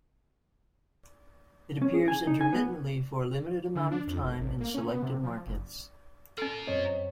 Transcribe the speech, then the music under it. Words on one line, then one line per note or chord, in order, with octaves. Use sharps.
It appears intermittently for a limited amount of time in selected markets.
C#4
G#4
G#5
D#4
G#5
B3
D3
D4
F2
G#1
A1
A#3
C#4
B3
C3
F3
F#1
C#4 F4 A4 A#4
F#2 C4 C#5 D#5